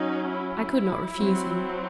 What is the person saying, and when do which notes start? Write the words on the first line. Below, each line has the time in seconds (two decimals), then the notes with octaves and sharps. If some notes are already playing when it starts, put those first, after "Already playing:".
I could not refuse him.
Already playing: F#3 C#4 D#4
0.31 E4
1.18 F#3 C4